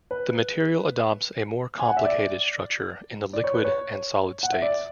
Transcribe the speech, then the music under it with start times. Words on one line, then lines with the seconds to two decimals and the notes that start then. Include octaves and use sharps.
The material adopts a more complicated structure in the liquid and solid states.
0.11 B4
1.79 G#5
1.88 F#5
1.97 E5
2.05 D5
3.33 D5
3.44 C#5
3.54 B4
3.65 C#5
4.43 F#5
4.52 E5
4.62 D5